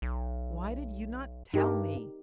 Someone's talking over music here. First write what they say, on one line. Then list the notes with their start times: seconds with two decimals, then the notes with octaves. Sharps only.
"Why did you not tell me?"
0.02 B1
1.54 G2 D#4 G4 A#4